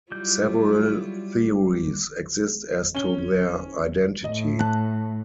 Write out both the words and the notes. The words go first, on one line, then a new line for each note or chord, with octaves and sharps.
Several theories exist as to their identity.
F#3 G3 E4 F4 G6
C#4 G7
A2 D#5
A5 F#6